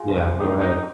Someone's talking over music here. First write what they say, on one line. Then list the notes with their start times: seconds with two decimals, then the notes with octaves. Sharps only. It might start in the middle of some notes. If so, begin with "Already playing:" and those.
Yeah. Go ahead.
Already playing: F4 G#4
0.08 C2
0.24 C2
0.39 D2 D#4 G4
0.56 D2 D#4 G4